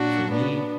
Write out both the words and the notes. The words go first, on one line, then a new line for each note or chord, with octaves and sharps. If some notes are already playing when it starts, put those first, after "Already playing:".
For me,
Already playing: A#2 F#3 D4 F#4
B3 D4